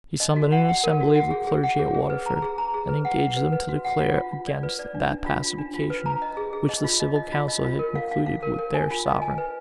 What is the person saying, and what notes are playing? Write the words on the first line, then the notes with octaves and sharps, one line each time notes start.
He summoned an assembly of the clergy at Waterford, and engaged them to declare against that pacification which the civil council had concluded with their sovereign.
D#5
F#4
F#5
F#5
A#4
F#4
F#5
G#4
G#4
F#5
G#4
G#4
B4
A#5
G#4
A#5
G#4
B4
F#5
F#5
B4
B4
F#4
F#5
F4
F4
F4
D5
B4
D5
D4
D4
F4
F4
D4
F4
B4
A#5
D#5
G#4
G#4
D#5
F4
D#5
D#5
F4
D#5
F4
A#4
F5
F5
F5
A#4
A#4
G#5
F4
D#5
G#5
B4